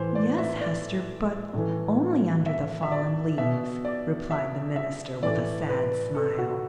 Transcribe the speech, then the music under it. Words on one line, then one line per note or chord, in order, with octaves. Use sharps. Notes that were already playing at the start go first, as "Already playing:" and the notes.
"Yes, Hester; but only under the fallen leaves!" replied the minister, with a sad smile.
Already playing: A2 E3 C5
D5
E5
D5
A2 E3
E5
E5
D5
B2 E5
D5
E5
E5
A2 E3 D5
B4
A4
F#4